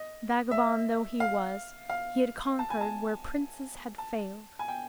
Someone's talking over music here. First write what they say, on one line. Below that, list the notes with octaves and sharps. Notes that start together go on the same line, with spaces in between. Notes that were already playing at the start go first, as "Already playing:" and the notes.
Vagabond though he was, he had conquered where princes had failed.
Already playing: D#5
E5
F5
F5
A5
G#5
A5
A5
G#5
G5